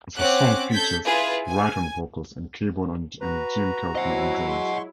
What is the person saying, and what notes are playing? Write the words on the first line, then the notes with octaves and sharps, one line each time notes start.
The song features Wright on vocals and keyboards and Jim Keltner on drums.
C4 C#4 F#5 D6 F#6
A4 G6 G#6 B6
E4 F4 G#4 B4
G#5
F#4 B4 A#5
F#3 C4 E4 D#5 F#5
G#3 C6 C#6